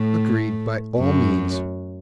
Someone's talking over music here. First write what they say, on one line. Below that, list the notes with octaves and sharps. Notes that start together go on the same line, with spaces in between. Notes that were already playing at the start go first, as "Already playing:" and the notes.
"Agreed, by all means."
Already playing: A2 A3
F#2 F#3